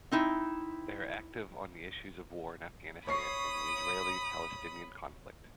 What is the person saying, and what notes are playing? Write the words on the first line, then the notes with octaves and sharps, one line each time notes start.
They are active on the issues of War in Afghanistan and the Israeli-Palestinian conflict.
C4 D#4 E4
C#5 B5 C#6 D#6 C7